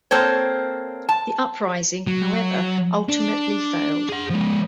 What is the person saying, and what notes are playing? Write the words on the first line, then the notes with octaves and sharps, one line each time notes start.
The uprising, however, ultimately failed.
A#3 C4 A4 C#5
A5
F#3
D4
G#4 F#5
F3 G#3